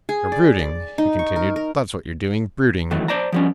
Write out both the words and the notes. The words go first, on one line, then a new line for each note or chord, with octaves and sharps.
You're brooding," he continued, "that's what you're doing, brooding.
G#4
D5
D5
D#4
C#6
A#4
A#4
D#3 E3 F#3 A3
C5 D5 A5 A#5
F3 G3 C#4